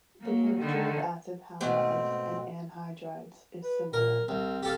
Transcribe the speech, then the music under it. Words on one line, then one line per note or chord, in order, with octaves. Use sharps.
The chemistry of acid halides and anhydrides is similar.
F#3 A#3
D3 D#3
G#2 B2 A3 C4
B4
A#2 A#4
C2 C4
G4 A4 F5